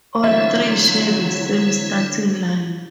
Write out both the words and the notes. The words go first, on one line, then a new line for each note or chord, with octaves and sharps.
All three share the same starting line.
D3 E3 F#3 C4 E4 F4 C#5 E5